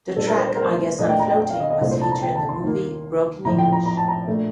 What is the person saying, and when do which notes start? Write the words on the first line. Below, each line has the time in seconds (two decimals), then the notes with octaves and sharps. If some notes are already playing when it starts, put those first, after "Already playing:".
The track "I Guess I'm Floating" was featured in the movie "Broken English".
0.16 A#2 G3 D4 F4 A4
0.27 A#4
0.37 C5
0.47 C5
0.55 A#4
0.63 C5
0.99 A#2 A3 D4 D#5
1.09 G5
1.20 A#5
1.29 G5
1.40 G5
1.50 F5
1.60 D#5
1.70 D#5
1.81 C2 A#2 A3 D4 C5
1.91 C5
2.01 A5
2.11 A#5
2.22 G5
2.36 A5
2.49 C6
2.63 D#2 D#3 A#3
3.45 A#1 A2 F3 A#5
3.58 G5
3.72 A#5
3.86 A#5
3.97 A5
4.08 A#5
4.27 A#2 A3 D4